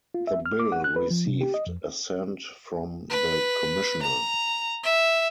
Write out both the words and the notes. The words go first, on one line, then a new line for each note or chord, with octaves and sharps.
The bill received Assent from the Commissioner.
F4
E5
F6
D6
F#5
F#6
B4
F3
C3
G4
D#5
F2
B4
A#5
E5